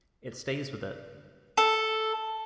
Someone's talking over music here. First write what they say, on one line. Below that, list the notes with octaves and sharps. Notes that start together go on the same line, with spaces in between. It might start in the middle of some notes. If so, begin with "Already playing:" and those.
It stays with it.
A4